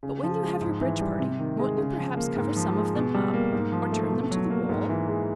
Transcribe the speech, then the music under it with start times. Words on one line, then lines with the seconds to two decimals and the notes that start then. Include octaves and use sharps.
But when you have your bridge-party, won't you perhaps cover some of them up, or turn them to the wall?
0.03 C#3
0.23 F3
0.42 G#3
0.61 G#2
0.81 E3
1.01 G3
1.20 C3
1.39 D#3
1.59 G#3
1.78 C#3
1.98 F3
2.17 A#3
2.36 G#2
2.56 F3
2.76 G#3
2.95 B2
3.14 G3
3.34 A#3
3.53 G#2
3.72 F3
3.92 A3
4.12 B2
4.31 F#3
4.50 A#3
4.69 G#2
4.89 E3
5.08 G#3